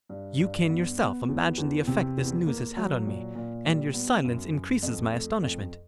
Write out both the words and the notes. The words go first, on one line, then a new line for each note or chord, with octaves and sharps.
You can yourself imagine the effect this news has had on me, and your silence increases my astonishment.
G2
G2
B3
B3
E2
E2
C3
E2
A#3
F#3
A#2
A#2
G3
B3
F#2
F#2
F2
A3
F2